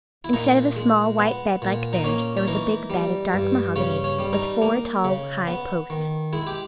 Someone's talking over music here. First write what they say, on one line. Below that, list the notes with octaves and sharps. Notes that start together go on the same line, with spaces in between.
Instead of a small white bed like theirs there was a big bed of dark mahogany with four tall, high posts.
E4
A#2 D#4
G#3
B3
A#2
D#4
A#3 C#4
C#4
E3 D#4
G3
G2
C#3 C#4
C#4
G3
D#4
A#3
C#3
B3
D#3
G#3 E4
G4